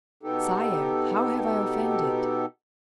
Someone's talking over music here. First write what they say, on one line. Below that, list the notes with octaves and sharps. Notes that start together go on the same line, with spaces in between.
"Sire, how have I offended?"
B2 B3 D#4 G4 A4